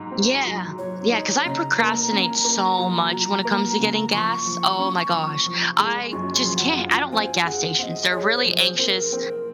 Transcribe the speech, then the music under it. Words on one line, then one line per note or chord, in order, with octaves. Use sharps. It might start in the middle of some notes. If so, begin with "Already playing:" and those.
Yeah. Yeah, cause I procrastinate so much when it comes to getting gas. Oh my gosh, I just can't. I don't like gas stations, they're really anxious
Already playing: G#2 F#3
C4
F#3
F#3 C#5
D#4
C#3 A#5
A#3
C#4
A#3
F#3
F#3
A#3
C#3
F3 C#6
F3
C#4
F3
F3
G#3
F#2 C#6
C6
F3
F#5
F4
C4 G#5
G#4 F#5
C4 D#5 F#5
G#4 C#5
C5
F3
C5
C4 A#4
C4